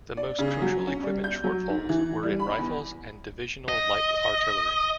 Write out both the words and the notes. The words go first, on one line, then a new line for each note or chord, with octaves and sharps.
The most crucial equipment shortfalls were in rifles and divisional light artillery.
D5
C#3
F#3
C#4
G3
G6
F#3
G#2
E3
G3
B5
E2
D#5